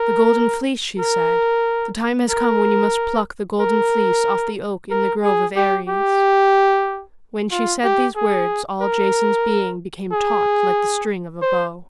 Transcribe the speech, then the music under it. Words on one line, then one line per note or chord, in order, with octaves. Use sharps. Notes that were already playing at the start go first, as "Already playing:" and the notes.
"The Golden Fleece," she said, "the time has come when you must pluck the Golden Fleece off the oak in the grove of Ares." When she said these words all Jason's being became taut like the string of a bow.
Already playing: A#4
A#4
A#4
A#4
A#4
G#4
G4
G4
F4
G4
G#4
A#4
G#4
C5